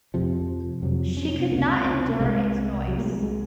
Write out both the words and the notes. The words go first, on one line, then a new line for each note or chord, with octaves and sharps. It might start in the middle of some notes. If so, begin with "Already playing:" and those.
She could not endure its noise.
F2 C3 F3
F2 C3 F#3
F#3
C#4
C#4
C4
C#2 C3 A#3
C4
C4
C#4
C4
A#3
C2 C3 G#3
C2 C3 F#3
A#3
G#3
F#3
G#3